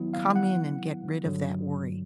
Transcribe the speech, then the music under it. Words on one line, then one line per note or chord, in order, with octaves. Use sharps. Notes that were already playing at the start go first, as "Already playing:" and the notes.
Come in and get rid of that worry."
Already playing: D#3 F#3 B3 E4
F5
F#5
G2 D3 F#3